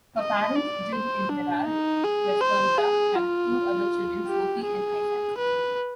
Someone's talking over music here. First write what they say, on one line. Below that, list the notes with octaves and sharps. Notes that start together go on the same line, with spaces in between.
Her parents, Jill and Gerald Westenra, have two other children, Sophie and Isaac.
D#5
D5
C5
D4
D#4
G#4
C5
G#4
F4
G4
G#4
B4